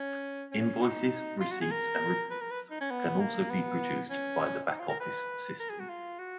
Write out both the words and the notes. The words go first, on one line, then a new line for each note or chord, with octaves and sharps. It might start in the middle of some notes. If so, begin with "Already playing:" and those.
Invoices, receipts, and reports can also be produced by the back-office system.
Already playing: C#4
C#4
D#4
F4
F#4
G#4
A#4
B4
A#4
B4
D#4
C#4
B3
A#3
B3
C#4
D#4
F4
A#4
B4
A#4
G#4
F#4
F4
F#4